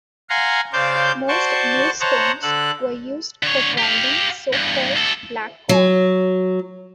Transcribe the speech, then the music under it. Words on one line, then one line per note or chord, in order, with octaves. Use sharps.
Most millstones were used for grinding so called "black corn".
F5 F#5 G#5 A#5 C6
C#3 C5 D5 F5 G6
F#4 C5 D5 A5 C6 C#6
C5 C#5 D#5 F#5 A5 A#5
D3 A4 F#6
D3 C#5
G4 F5
E2 G2
D2 A4
F#3